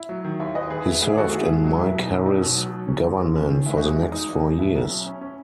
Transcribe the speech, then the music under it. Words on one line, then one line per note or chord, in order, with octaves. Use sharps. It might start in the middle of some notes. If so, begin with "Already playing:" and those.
He served in Mike Harris's government for the next four years.
Already playing: E4
F#3
D#3
D#2 E4
D#2 B4 D#5
D#3 G#4 B4
B3 E4
G#2 E4 G#4
D#3 F#4 A4
G#2 E4 G#4
G#2
F#3
B1 E4
B2
D#4
B1
B1 D#4
B2
F#3
F#3
C#4
D#2
C#4
C#4
D#3
G#3 E4
G#3 D#4 F#4
E4
E2
E2 D#4
E2
G#3
B2 E4
B1
C#4
C#4
C#4